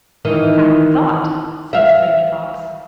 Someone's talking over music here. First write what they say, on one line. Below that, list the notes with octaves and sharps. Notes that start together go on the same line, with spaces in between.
'Happy thought!' says friend Fox.
D#3 E3 D#4
E5 F5